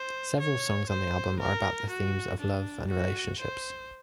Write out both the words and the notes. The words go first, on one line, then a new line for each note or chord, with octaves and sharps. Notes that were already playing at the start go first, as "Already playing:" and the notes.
Several songs on the album are about the themes of love and relationships.
Already playing: C5
C#5
C5
A#4
F#4
D4
F#4
C5